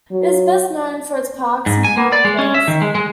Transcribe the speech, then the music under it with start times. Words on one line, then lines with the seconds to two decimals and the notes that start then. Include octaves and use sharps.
It is best known for its parks and parkways.
0.12 F#3
1.66 G#2
1.84 G#5
1.97 A#3
2.12 D5
2.25 G#3
2.39 C#4
2.54 E5
2.68 D#3
2.82 G#3
2.95 G#3